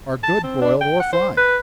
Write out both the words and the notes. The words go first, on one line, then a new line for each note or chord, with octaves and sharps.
Are good, broiled or fried.
A5
C4
D4
G5
F#5
C5
B4